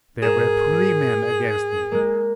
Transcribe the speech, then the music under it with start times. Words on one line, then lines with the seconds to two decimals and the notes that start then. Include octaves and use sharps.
There were three men against me.
0.22 G#2 G#4 A#4 E7
1.92 G#3 A#3